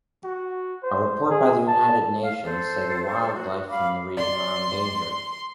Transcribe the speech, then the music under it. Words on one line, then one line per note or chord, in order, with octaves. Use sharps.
A report by the United Nations say the wildlife from the region are endangered.
F#4
C5
G#4
A5
F5
A4 C5
F#4
F5 B5 D6
D5 C6